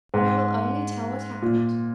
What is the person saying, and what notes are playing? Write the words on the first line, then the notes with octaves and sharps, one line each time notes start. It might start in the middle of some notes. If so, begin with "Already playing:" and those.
But I will only tell what happened.
G#2
A#2